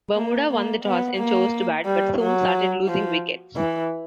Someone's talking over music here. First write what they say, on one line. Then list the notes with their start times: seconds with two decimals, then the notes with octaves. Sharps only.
Bermuda won the toss and chose to bat, but soon started losing wickets.
0.15 A#3
0.50 A#3
0.84 B3
1.17 A#3
1.85 G3
2.20 F#3
2.87 F3
3.56 E3